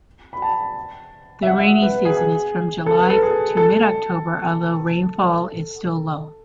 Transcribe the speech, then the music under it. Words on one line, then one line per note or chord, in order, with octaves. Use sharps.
The 'rainy season' is from July to mid-October, although rainfall is still low.
B5
A5
E5
F#5
E5
B4
G#4
G#4
A4
B4
A4
G#4
A4